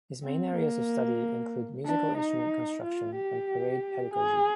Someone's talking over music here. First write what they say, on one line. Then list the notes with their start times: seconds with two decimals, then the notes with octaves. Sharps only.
His main areas of study include musical instrument construction and parade pedagogy.
0.23 C4
0.55 A#3
1.86 D4
2.18 D#4
2.83 F4
3.16 G4
4.14 G#4